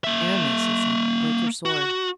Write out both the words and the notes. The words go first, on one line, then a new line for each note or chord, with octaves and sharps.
"Aramis," he said, "break your sword."
A#3 E5
F#4